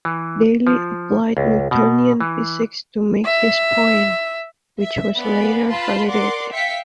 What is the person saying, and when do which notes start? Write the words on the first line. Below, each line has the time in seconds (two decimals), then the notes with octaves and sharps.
Daly applied Newtonian physics to make his point, which was later validated.
0.05 E3
0.67 F3
1.37 C#2
1.71 B2
2.20 E3
3.25 E5
4.80 E5
5.15 B3 D5 F5 G#5 B5
5.69 F4 B4 A5 B5 C6
6.07 A#4 D5 F#5 C6 D6
6.51 E5 F5 G5 B6 C#7